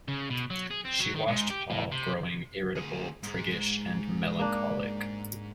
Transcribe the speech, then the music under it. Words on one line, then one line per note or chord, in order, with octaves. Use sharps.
She watched Paul growing irritable, priggish, and melancholic.
C#3
B2
F#3
G#4
C4
F#3
D#3
G#2
G4
A2
C3
D2 G#4
G#2 G#3
A#3 D4